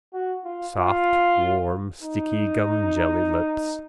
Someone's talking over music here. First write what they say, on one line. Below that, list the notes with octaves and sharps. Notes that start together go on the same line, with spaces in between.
Soft warm sticky gumjelly lips.
F#4
F4
F4
D#4